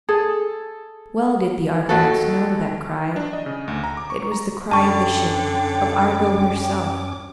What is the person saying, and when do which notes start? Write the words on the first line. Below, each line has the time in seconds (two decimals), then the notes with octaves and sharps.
Well did the Argonauts know that cry--it was the cry of the ship, of Argo herself.
0.09 G#4 A4
1.89 D#2 F#4 A4
3.16 D4
3.33 D#5
3.46 C#3
3.68 D2
3.84 A#5
3.97 D6
4.10 C#6
4.32 A#5
4.71 F#2 D3 C#4 G5 A5 C#6 D6